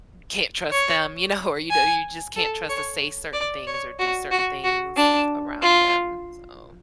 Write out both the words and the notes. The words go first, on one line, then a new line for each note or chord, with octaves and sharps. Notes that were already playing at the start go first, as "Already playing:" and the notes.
can't trust them, you know, or you do you just can't trust to say certain things, or do certain things around them, so
C#5
G#5
A4
C#5
D5
C#5
F#4
F#4
F#4
D4
F4